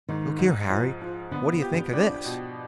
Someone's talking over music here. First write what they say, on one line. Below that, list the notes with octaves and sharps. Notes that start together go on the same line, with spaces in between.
"Look here, Harry; what d'ye think of this?"
G#2 D#3
G#2
F3
F3
D3 B3
D3
G4
D3
C4 D4
B2